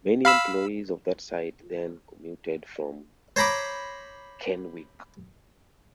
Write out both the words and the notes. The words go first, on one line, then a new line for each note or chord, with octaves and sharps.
Many employees of that site then commuted from Kennewick.
F5 B5 E6
C5 C#5 A#5 B5 D6